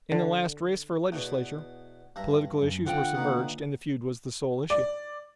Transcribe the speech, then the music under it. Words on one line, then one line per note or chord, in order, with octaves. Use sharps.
In the last race for legislature, political issues were submerged and the feud was the sole issue.
D3
E2 B2
G2 E5 A#5
F#2
D3 C4 F4 F#5 G5
A#2 D#3 B3
D5